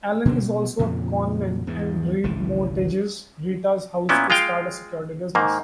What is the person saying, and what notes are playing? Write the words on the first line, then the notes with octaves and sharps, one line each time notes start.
Alan is also a conman and re-mortgages Rita's house to start a security business.
B2 D3 F#3 C4
B2
F2 A#2 C#3
E2 G#2 E3
G#1 C#2 A2 E3
A#2 B3 C#4 E4
G#3 F4 F5 G5
G#2 D#3 A#3